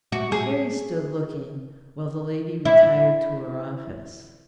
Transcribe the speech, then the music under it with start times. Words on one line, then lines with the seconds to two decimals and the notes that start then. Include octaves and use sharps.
Carrie stood looking while the lady retired to her office.
0.12 F#4
0.32 G#4
2.65 E4